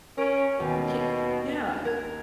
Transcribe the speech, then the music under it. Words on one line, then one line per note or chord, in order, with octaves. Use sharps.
We c yeah.
C#4 A#4 D7
D#2 B2
A#4 G#6